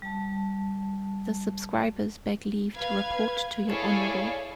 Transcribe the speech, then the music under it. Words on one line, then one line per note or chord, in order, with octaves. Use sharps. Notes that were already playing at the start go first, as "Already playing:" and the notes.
The Subscribers beg leave to Report to your Honorable.
G3 A5
B4 F5 G#6
E4 G#4 A4 C#5 D5 F5